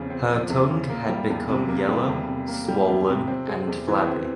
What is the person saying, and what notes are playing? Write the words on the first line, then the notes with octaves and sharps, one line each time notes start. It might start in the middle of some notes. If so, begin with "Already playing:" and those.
Her tongue had become yellow, swollen, and flabby.
Already playing: E2 C#3 F3 C4
C4
F3
E2
C#3
A#3
G3
E2
C3
A#3
G3
E2
C3
A#3
G3
E2
C3
C4
G#3
E2
E3
C4